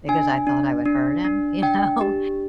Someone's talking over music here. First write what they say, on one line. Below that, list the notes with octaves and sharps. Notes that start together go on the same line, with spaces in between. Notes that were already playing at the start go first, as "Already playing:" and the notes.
because I thought I would hurt him, you know?
D4 G#5
D4
D4
D4
D4 G5
G4